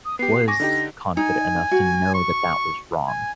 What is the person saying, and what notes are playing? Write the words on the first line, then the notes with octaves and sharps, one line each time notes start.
was confident enough to know that that was wrong,
D#6
B3 G4 C7
G#5 C#6 D6 A#6
D3 D#4 G4
D#4 G#5
F#4
C#6
G#5